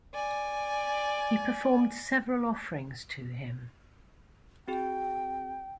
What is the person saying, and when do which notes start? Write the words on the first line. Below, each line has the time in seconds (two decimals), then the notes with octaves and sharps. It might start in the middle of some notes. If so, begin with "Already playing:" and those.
He performed several offerings to him.
0.14 D5 G#5
4.68 C4 F#4 G#4 G5